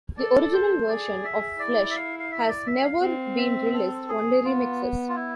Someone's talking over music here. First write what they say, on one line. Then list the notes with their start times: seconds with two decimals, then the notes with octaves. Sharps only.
The original version of "Flesh" has never been released, only remixes.
0.17 A4 D5
0.53 C5
0.88 G#4 D5
1.24 E5
1.59 E4 D5
1.90 E5
1.96 F5
2.19 F5
2.31 E5
2.49 D5
2.67 E5
2.84 F5
3.02 C4 F5
3.38 E5
3.73 A4
4.09 G#4
4.44 B3 F4
5.09 F4
5.15 E4